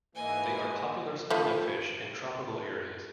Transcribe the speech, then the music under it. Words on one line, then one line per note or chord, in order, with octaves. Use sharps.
They are popular sporting fish in tropical areas.
G#2 E3 A#3 D#5 G#5
F3 A3 E4